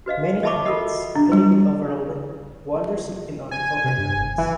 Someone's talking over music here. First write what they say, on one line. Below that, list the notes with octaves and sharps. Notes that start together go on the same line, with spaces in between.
Many entrants, including the overall winner, won their seat in online poker tournaments.
F#4 B4 D#5 F5
D#5 E5 A5 B5 C#6 D6
F4 F#4 A4 A#4 D#5 F#5
D4
G3
G#5
C3
G2
F#1
E3